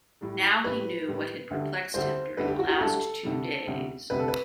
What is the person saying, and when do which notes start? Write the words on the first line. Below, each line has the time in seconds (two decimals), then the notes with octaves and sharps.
Now he knew what had perplexed him during the last two days.
0.21 A2 E3 G3
0.64 A2 E3 G3 B4
1.07 A2 E3 G3
1.50 D2 D3 G3
1.94 D2 D3 G3 C5
2.37 D2 D3 G3 B4
2.48 G4
2.59 F#4
2.69 F#4
2.80 D2 D3 G3 A4
3.24 D2 C3 G3
3.67 D2 C3 G3
4.10 D2 C3 G3 B4
4.19 A4
4.28 B4